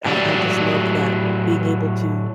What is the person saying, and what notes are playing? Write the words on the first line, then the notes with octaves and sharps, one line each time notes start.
I I just loved that being able to
A2 F#3 G4 D5